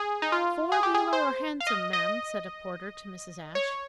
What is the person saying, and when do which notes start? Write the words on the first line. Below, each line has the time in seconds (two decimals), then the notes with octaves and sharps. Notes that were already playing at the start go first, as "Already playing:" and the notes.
"Four-wheeler or hansom, ma'am?" said a porter to Mrs. Ashe.
Already playing: G#4
0.22 D#4
0.32 F4
0.72 G#4
0.83 G4
0.94 G#4
1.13 C5
1.60 F5
1.67 D#5
1.93 D#5
3.55 C#5